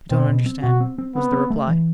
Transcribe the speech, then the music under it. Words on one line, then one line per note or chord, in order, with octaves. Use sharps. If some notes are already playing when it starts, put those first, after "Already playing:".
"I don't understand," was the reply.
B2 C4
B2
C4
B2 F#4
C4
C4
B3 C4
C4
A3
E3